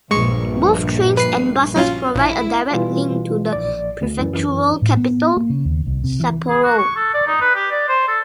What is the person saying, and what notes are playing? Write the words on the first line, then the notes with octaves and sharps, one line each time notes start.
Both trains and buses provide a direct link to the prefectural capital, Sapporo.
A#1 G2 G#3 C#6 C#7
B4 C7
F#3 C#4 F4
A#1 E4
B2 E3 G3 F4
A#1 D5
D2
F#2 E3
A2
B3
A#3
C#3
D#2
C2
C3
E3
G#4
F#4
C#6
A4
D5
D#4
B4
G4
D5
C5
A4